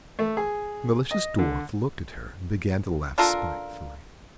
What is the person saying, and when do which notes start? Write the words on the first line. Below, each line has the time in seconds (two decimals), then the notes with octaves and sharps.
The malicious Dwarf looked at her and began to laugh spitefully.
0.19 A3
0.37 G#4
1.11 D#5
1.39 D3
3.18 D4 F4 A4 A#4